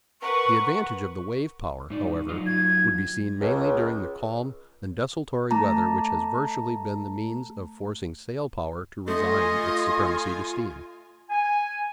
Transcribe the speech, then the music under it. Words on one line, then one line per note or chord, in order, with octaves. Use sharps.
The advantage of the wave-power, however, would be seen mainly during the calm and desultory weather which has virtually been the means of forcing sail-power to resign its supremacy to steam.
A#4 B4 F#5 C#6
G#2 D#4 D5
F#3 D#4 F4
G#6
C#2
A3 A5 A#5
A3 F4 D#5 G#5 C6
G#5